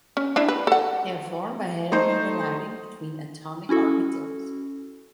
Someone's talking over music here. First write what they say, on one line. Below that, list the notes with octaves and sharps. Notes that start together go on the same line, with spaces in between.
They are formed by head-on overlapping between atomic orbitals.
C#4
D4 E4
B4
A4 F#5
A3 D#4 A4 C5
C#4 E4 F#4 A4